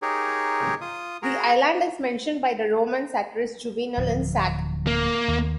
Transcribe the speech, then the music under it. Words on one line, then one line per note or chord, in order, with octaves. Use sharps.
The island is mentioned by the Roman satirist, Juvenal, in Sat.
D#4 G4 G#4 A#4 C#5
F4 D#6
F#4 G#4 A#4 A#5
D1 F3
A#3
D#2